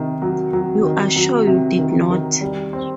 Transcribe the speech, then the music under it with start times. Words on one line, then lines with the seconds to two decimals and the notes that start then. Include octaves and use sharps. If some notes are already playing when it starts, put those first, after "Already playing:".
You are sure you did not?
Already playing: C3 D#3
0.22 F#3
0.53 F#3
0.85 D#3
1.16 F#3
1.47 C3
1.79 D#3
2.10 D#3
2.41 G3
2.73 C4